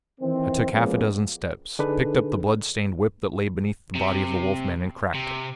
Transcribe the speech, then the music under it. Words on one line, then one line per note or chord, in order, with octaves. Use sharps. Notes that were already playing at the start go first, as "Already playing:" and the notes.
I took half-a-dozen steps, picked up the blood-stained whip that lay beneath the body of the Wolf-man, and cracked it.
D#3 E3 C4
F3 G#3 A#3 B3 C#4
D3 D4 D#4 G#4 A4 B4
C3
C3